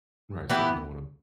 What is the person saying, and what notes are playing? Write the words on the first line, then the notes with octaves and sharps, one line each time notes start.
Right, something going on.
E3 B3 E4 G4